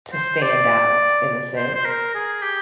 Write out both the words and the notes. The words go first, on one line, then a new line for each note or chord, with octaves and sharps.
to stand out in a sense,
C5
D5
C5
C5
A#4
G#4
G4